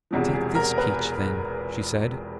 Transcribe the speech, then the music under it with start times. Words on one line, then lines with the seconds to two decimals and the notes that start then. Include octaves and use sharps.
"Take this peach, then," she said.
0.11 E1 E2 C3 F3
0.33 G#4
0.55 A#4
0.78 B4